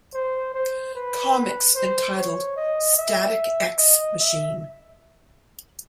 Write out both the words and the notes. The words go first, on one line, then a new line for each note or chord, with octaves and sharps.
Comics entitled Static-X Machine.
C5
C5
B4
C5
C#5
D#5
E5
D#5
E5